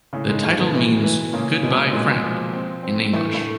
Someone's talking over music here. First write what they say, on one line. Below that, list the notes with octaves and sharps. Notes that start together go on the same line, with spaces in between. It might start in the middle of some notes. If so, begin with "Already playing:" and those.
The title means "Goodbye Friend" in English.
A2 C#3 A3
G#2 G#3
D#2 A2 A3
B2 B3
E3
E3
A#2 C#3 A#3
B2 G#3 B3
A#2 G#3 A#3
F3
C4
C4
A2 E3 A3
A2 A3